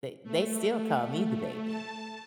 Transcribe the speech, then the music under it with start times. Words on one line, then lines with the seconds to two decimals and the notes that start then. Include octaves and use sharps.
they they still call me the baby.
0.23 A3
1.65 A5